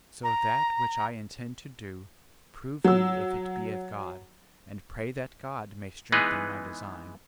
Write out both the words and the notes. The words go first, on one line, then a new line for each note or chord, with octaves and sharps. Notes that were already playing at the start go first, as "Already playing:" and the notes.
So that which I intend to do prove ye if it be of God, and pray that God may strengthen my design.
A#5
F#3 E6
E3 G#3 B3 D#4 G#4 B4